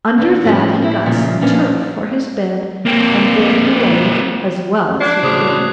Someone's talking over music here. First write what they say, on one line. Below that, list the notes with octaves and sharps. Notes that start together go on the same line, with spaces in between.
Under that he got some turf for his bed, and there he lay as well as he could.
D#2 B3 D4
A2 F3 C4 C#4
C4 E4
A#2 C#3 F3 G3
F3 G3 A#3 B3 C#4 D4
A#3 C4
D4 F#6 G#6 C7
A2 C#3 F#4 G#4 C5 D6 D#6 C7